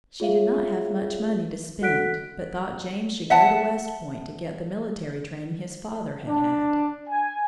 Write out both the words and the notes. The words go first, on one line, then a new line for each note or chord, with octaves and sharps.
She did not have much money to spend but thought James should go to West Point to get the military training his father had had.
F4 G#4 C#5 E5 F5
F#4 A4 F#5 F#6 B6 D7
E5 F#5 A5
D4
G#5